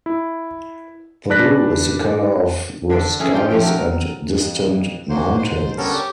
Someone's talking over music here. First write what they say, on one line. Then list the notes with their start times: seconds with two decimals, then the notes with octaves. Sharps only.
The blue is the color of the skies and distant mountains.
0.06 E4
1.30 D4 B4 D5 F#6 A#6 B6
2.90 D3 D4 A4 D5
3.19 A3 C#4 G#4 A4
3.35 F4 A4 G5
3.50 F3 A3 G4 G5
3.63 F#3 A#4
4.37 F2
5.09 F#3 A#3 C5
5.38 G#2 C5
5.78 D3 G3 B3 C#4 A4 A#4
5.93 G4